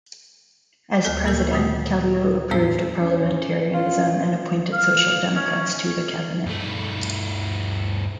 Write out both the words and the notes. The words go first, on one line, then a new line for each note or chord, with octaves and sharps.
As president, Kallio approved of parliamentarism and appointed Social Democrats to the cabinet.
D2 B3 A4
A#2 A#3 G4 A#4 G6
A#2 D3 D#3 A3 B3
E2 A2 B3 D4 C5 E6
C#4
D#3 E3 C#4 F4
F5
C#4
G2 A3